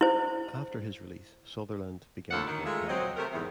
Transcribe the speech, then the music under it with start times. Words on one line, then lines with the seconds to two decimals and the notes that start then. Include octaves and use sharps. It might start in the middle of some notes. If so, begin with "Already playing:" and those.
After his release Sutherland began to drink heavily.
0.01 E4 C5
2.31 D2 A2 A#3 F4 A4 F#5
2.47 D#3
2.64 G#3 A3 F4 A#4 E5
2.88 F#3 C4 D#5
3.17 C3 A3 A#4
3.32 E2 G#2 C3